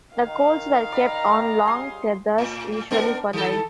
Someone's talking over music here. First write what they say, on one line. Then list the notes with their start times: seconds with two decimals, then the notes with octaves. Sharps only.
The colts were kept on long tethers, usually for life.
0.15 D#3 F5
0.92 D5 A#5 B5
1.65 C#2 G3 G#5 C6 D#6
2.38 A2
2.91 B3 D4 A#4
3.33 D#3 A4